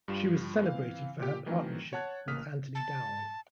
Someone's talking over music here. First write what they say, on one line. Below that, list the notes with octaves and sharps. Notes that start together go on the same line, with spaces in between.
She was celebrated for her partnership with Anthony Dowell.
G2 G3 F4 E7
E3 C4 F5
A#2 G4
D#3 E3 F#3 A3 C4 A#4
C#5 F#5 A5 F#6 G#6
A1 A#3 D#6 F6 B6
A5